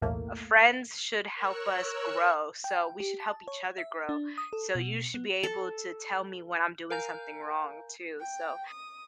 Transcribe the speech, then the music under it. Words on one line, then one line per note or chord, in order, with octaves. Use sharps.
friends should help us grow, so we should help each other grow. So you should be able to tell me when I'm doing something wrong too, so
B1 E2 A2 A3 A#3
A#4 C#5 C#6 E6 F#6 C#7
G5
G4
A5
C#5
E5
D4
D#6
A4
B2
B3
A4
A#4 F5 G#5 A#5 G6
G5
D#6